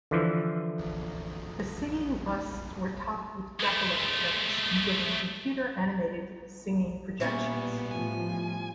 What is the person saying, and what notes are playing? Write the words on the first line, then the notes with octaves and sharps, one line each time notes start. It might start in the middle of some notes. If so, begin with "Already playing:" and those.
The singing busts were topped with Jack-O-Lanterns and given computer-animated singing projections.
D3 E3 F3
G#3 A3
A#2 G3 B3 C#4 E4
A2 F3 G#5